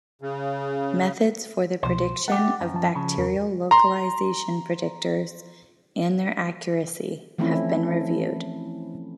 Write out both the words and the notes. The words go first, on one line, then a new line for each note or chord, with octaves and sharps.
Methods for the prediction of bacterial localization predictors, and their accuracy, have been reviewed.
C#3
C2 B2 F3 C5
A3 G4 F#5
F#2
F3 A5
C#3
E2 A#4
A#5 C6
E3 F3 A3 C4 C#4 E4